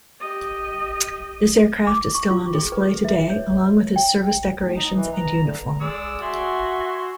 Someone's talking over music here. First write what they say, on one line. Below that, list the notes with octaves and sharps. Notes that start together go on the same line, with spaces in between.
This aircraft is still on display today along with his service decorations and uniform.
G4 D#5
D6
C#6
F4
G#4
B4
E5
C#5
G5
A2
D#4
E3
A#5
D3
G#3 D5 E6
F#4 E5 G#5 C6